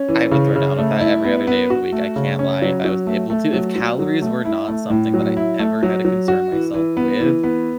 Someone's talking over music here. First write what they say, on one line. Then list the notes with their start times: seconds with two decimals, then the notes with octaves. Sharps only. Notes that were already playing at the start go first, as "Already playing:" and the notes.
I would throw down with that every other day of the week. I can't lie if I was able to. If calories were not something that I ever had to concern myself with.
Already playing: C#4
0.08 E3
0.31 C#3
0.56 C#3
0.78 A3
1.01 E4
1.24 B3
1.47 B3
1.70 F#4
1.92 A3
2.16 C#3
2.39 C#4
2.62 F#3
2.85 F#3
3.07 A3
3.30 A3
3.53 F#3
3.76 F#3
3.99 F#3
4.22 A3
4.45 E4
4.68 A3
4.90 A2
5.14 F#3
5.37 E4
5.59 A3
5.83 F#3
6.05 F#3
6.28 F#4
6.52 E3
6.74 E3
6.97 B3
7.20 E3
7.44 B3